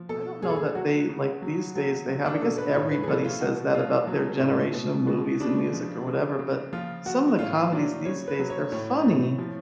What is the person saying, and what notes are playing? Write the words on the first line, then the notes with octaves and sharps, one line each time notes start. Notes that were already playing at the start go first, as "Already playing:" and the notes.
I don't know that they like, these days, they have I guess everybody says that about their generation of movies and music, or whatever, but some of the comedies these days, they're funny,
Already playing: F3
B2 A4
B2 G#4
A4
G#4
F#3 F#4
C#3
F#3
F#3
F#3
D4
B2 A4
B4
A2 C#5
B4
G#4
F3 A4
F4
B2 F#4
B2 F4
F#3
A2
B2
B2
C#3 D4
F3
C#3
C#3
F3 F4
F3 F#4
A2 F4
F#3 D4
C#3 C#5
B4
F#3
C#5
A2 C#5
A2
F3